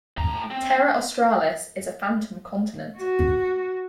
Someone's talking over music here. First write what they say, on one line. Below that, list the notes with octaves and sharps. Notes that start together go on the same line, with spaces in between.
Terra Australis is a phantom continent.
A2 A#5
C4
F#4